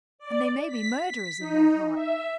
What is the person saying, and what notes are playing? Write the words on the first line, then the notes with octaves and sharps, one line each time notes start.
And they may be murderers in their hearts.
D5
B6
B6
D#4
E5